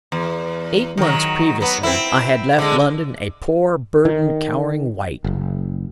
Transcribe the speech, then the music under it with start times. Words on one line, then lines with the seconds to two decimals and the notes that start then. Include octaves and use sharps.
Eight months previously, I had left London a poor burdened, cowering wight.
0.12 E2
0.98 D#3 F#3
1.61 F#3 B3
1.83 C4 E4
2.59 D3 G#3
4.05 D#3
5.24 F#1